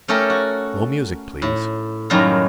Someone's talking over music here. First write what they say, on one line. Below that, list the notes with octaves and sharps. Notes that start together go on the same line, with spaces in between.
Slow music, please.
A3 C#4 G4 A4 A#4
F#4
A2
F#2 A2 D#3 G3 F5 A#5